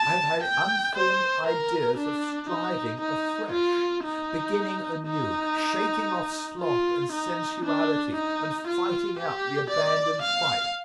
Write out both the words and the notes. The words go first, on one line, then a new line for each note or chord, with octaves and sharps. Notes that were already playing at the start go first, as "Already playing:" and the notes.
I have had unformed ideas of striving afresh, beginning anew, shaking off sloth and sensuality, and fighting out the abandoned fight.
Already playing: A5
G5
C5
A#4
D4
D#4
D#4
F4
D#4
D#4
F4
D#4
D4
D#4
F4
G4
D5
F5